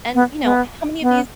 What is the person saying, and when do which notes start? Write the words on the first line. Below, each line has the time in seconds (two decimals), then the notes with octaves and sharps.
and, you know, how many of these
0.14 B3
0.43 B3
1.02 B3